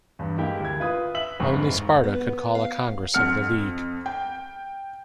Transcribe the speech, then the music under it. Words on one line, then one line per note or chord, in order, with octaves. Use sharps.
Only Sparta could call a Congress of the League.
E2 G2
G#3 A#3 E4 G4 G5
D2 G#6
F4 B4 D#6
E5 F#7
F1 G#2 C#6
B3
F5
F2 F#5 F6 C#7
G5